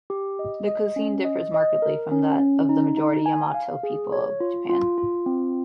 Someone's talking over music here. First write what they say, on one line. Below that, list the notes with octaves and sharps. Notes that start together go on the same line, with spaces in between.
The cuisine differs markedly from that of the majority Yamato people of Japan.
G4
D#5
D#5
C#4
D#5
D#5
A#4
C#4
C#4
D#4
D#4
G#5
F5
G#4
C#5
F4
F4
F4
C4